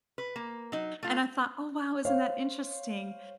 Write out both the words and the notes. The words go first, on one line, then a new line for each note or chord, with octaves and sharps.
and I thought, “Oh, wow. Isn't that interesting?”
B4
A#3
F#3 D#4
A3 F4
C5 C#5 F5